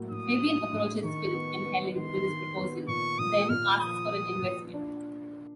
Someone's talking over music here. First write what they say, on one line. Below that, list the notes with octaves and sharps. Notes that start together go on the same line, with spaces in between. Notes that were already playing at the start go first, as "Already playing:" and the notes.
Fabian approaches Phil and Helen with his proposal, then asks for an investment.
Already playing: A2 F#3 A#3
A2 D#6
D4
A2
D#3 C#6
B3
B3
D#3 C6
D#3
B3
A#2 C#6
A#2 D#6
A#2 F6
F3 D#6
F3
A#2
D4